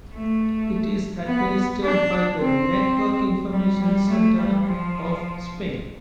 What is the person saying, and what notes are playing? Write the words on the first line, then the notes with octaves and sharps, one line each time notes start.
It is administered by the Network Information Centre of Spain.
A3
B3
D4
C4
G3
G3
A3
G3
F3